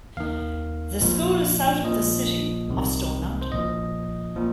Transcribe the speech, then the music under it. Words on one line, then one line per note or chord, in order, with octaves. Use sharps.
The school is south of the city of Stone Mountain.
D#2 D#3 F5
A#1 A#2 F3
A#1 A#2 F3 D#5
C2 C3 D#3
C5
A#1 A#2 F3 D#5
A#2 F3